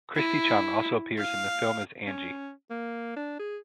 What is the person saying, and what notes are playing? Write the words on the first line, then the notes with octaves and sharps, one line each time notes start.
Christy Chung also appears in the film as "Angie".
E4
F5
C#4
A#3
D4
G#4